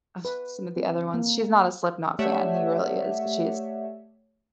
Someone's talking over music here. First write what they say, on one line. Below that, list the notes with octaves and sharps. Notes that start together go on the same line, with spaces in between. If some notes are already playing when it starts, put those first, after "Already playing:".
uh, some of the other ones. She's not a Slipknot fan. He really is. But she's.
B4
C4
A#3
A3 G4 C#5 D5 E5 F#5